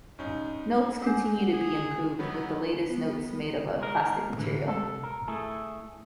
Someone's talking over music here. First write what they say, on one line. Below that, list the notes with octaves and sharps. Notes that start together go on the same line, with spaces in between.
Notes continue to be improved, with the latest notes made of a plastic material.
G2 C#4 D#4
D4 A#4 F#5 D6 C7
G#4
D#3 F#3 B3
B3
G#3 A#4
A2 D3 E3
C3 A4
A#4
A3 E4 G#4 A4